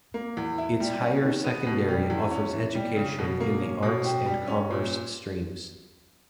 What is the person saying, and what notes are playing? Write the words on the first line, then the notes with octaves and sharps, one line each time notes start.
Its higher secondary offers education in the Arts and Commerce streams.
A#3
E2
E4
G3
C#4
D#3
B3
B2
G3
E2
C#4
E3
G3
C#3
B2
A#3
C#4
B2
G4
G3
C#4
A#2